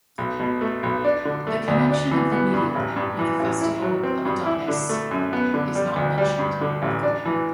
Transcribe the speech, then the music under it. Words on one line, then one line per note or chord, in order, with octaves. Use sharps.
The connection of the meteor with the festival of Adonis is not mentioned.
B1
B2
A3
B1
D4
D3
A3
D2
D4
E3
B3
G2
A1
G2
E3
A1
E4
F#3
C4
G2
E4
D3
A3
F#2
B3
D3
G3
D2
G3
G2
D3
A1
D4
E3